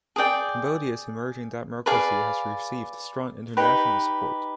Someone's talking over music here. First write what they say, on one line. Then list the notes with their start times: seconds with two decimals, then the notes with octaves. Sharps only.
Cambodia's emerging democracy has received strong international support.
0.16 G#4 D5 G5
1.86 G#4 B4 D5 F5
3.57 D#4 G4 B4